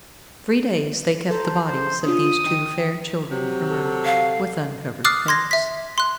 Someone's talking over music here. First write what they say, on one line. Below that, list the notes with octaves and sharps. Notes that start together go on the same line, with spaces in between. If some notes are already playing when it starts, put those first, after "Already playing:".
Three days they kept the bodies of these two fair children from earth, with uncovered face.
A4 C5 A5 A#5
C5
C#4 D4 F4 D#6
D#3 G5
C3 F#3
A4
F5
D6 D#6 F6 F#6 A6 C7
C6 G#6 A#6
E5 B6
C6 F#6